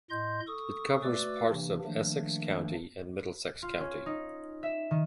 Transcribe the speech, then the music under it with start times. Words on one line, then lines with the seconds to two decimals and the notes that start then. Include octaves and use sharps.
It covers parts of Essex County and Middlesex County.
0.10 A2 D#5 C6 G6
0.47 A4 C#6 D#6
1.03 A3 F#4 B4 D5 D6 E6
1.49 C3 E3 A#3 D4
1.85 D#3 F3 A3 A#3 D4
3.62 F4
3.80 C#4
4.06 D#4
4.63 E5
4.91 D#3